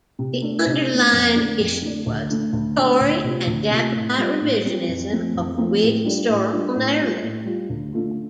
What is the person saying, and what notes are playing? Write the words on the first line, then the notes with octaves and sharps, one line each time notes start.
The underlying issue was Tory and Jacobite revisionism of the Whig historical narrative.
C3
A3 D4
C3
A3 D4
F2
D3 A3 D4
F2
D3 A3 D4
D2
D3 A3 D4
D2
D3 A3 D4
D2
C3 A3 F4
D2
C3 A3 F4
A2
G3 C4 F4
A2
G3 C4 F4
F2
F3 A3 C4
F2
F3 A3 C4
A2
G3 D4 F4
A2
G3 D4 F4
A2
G3 F4
A2
G3 F4
D2
D3 A3 F4